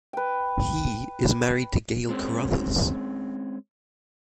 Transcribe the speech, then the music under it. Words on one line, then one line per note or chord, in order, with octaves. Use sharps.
He is married to Gail Carruthers.
B4 G5
G#3 C4 C#4